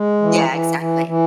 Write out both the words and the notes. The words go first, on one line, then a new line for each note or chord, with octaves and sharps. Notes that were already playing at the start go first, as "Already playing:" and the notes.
Yeah, exactly.
Already playing: G#3
E3
E3
E3
E3